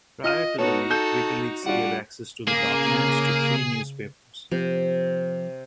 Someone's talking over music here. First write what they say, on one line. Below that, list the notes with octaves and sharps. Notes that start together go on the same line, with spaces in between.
Prior to the leak, WikiLeaks gave access to the documents to three newspapers.
F4 D#5 F6 D#7
B3 D#4 F#4 A4 C#5
A4 G6
G3 D4 F4 F#4 F#5
C#3 A#3 G#4
C3 F3